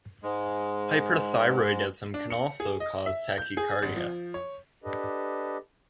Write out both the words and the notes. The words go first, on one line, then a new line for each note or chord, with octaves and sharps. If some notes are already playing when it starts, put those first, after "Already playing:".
Hyperthyroidism can also cause tachycardia.
G#2 G#3
D4
C#7
G#4
D#5
E5
G6
G#4
G#1
F3
C#5
D4 G4 A4 B4 D#5